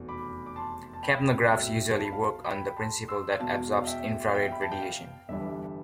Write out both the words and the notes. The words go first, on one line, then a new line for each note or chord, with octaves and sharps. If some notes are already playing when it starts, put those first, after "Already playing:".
Capnographs usually work on the principle that absorbs infrared radiation.
Already playing: F1 E2 B2
B5 D6
D6
A5 C6
A5
G5 B5
C2 B2 A3 E5 G5
A5
B5
F5 A5
G5 B5
A5 C6
C6 E6
E1 E2 B2 F5 A5
F5
E5 G5
F5
E5 G5
B5
A5
G5
F5
G1 G2 E3 G3 E5